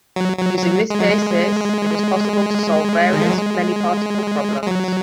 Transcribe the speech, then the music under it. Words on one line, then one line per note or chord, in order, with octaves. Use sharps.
Using this basis, it is possible to solve various many-particle problems.
F#3
F#3
F#3
G#3
F#3
G#3
D#3
F3
F#3
G#3
G#3
F#3